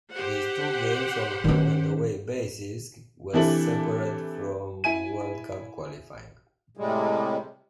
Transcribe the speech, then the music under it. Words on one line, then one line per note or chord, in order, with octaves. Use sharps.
These two games on home-and-away basis was separate from World Cup qualifying.
G4 C5 F#5
D#3 C#4
C3 E3 D4 E4 A4 F#7
E4 G#5 D#7
A2 C3 G3 G#3